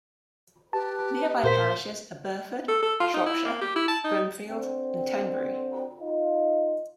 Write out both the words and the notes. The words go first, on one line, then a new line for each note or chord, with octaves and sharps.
Nearby parishes are Burford, Shropshire, Brimfield and Tenbury.
G4 B4 A5
A#2 A#4 C5 B6
A4
A4
F4
D#4
E4
A#3
G4
E4
A5
D#4
D3 C4
D#4 F4